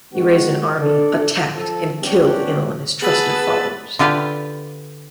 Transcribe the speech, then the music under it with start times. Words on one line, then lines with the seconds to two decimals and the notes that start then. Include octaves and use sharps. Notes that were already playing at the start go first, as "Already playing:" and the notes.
He raised an army, attacked, and killed Inel and his trusted followers.
0.14 D#3 G#3 C4 F#4
0.81 D4 A4 D5
1.56 F3 A4
2.01 G3 B3 C#4 D4 F#4 G4
3.02 B3 G#4 B4 A5 E6 A6 F#7
3.99 D3 F4 G4 B4 F5